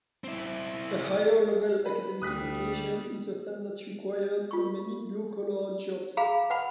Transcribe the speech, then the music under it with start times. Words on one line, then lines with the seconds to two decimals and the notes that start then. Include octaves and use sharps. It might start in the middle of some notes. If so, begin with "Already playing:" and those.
A higher level academic education is often not required for many blue-collar jobs.
0.24 C4 E4
1.86 B4
2.22 D2 G3 D#6 F#6 B6
4.51 F4 C#6
6.17 G#4 F5 A#5 B5
6.50 B4 F#5 B5